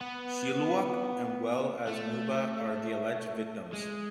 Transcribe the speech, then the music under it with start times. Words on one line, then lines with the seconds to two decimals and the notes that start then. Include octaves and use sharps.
Shilluk and well as Nuba are the alleged victims.
0.01 B3
1.87 A3
3.73 G#3